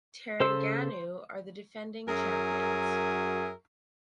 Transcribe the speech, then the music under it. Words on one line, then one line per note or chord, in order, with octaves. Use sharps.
Terengganu are the defending champions.
C#3 A4 C5 E6
F#2 F#3 G#4 A#4 E5 G#5